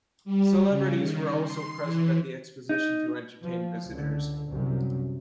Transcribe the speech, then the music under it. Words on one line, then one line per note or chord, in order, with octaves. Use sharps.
Celebrities were also present at the exposition to entertain visitors.
G3
C#3
D#3
C6
E3
D#4
F3
C#2 D3
C2 F#2 C3